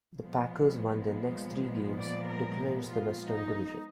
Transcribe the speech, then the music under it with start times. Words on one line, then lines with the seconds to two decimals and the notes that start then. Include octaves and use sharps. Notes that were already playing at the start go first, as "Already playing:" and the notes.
The Packers won their next three games to clinch the Western Division.
0.18 A#2 F3 G#3 B3
1.96 D5
2.25 A#4
2.85 F4
3.29 D#4